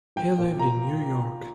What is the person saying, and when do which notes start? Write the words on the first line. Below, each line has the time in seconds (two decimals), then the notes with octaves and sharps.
He lived in New York.
0.16 A#1 G5
0.38 A#2
0.59 A#2 A#5